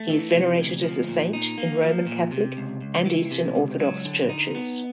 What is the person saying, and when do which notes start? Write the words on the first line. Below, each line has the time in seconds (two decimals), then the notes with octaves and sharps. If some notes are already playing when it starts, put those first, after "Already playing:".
He is venerated as a saint in Roman Catholic and Eastern Orthodox churches.
Already playing: A3
0.10 E3
0.35 C3
0.58 D2
0.83 F3
1.08 A#2
1.33 D#4
1.58 A#3
1.83 F3
2.07 A#2
2.32 C3
2.57 C#2
2.81 C#2
3.06 E3
3.31 C3
3.55 C#2
3.80 F#3
4.05 D3
4.29 D#4
4.55 B3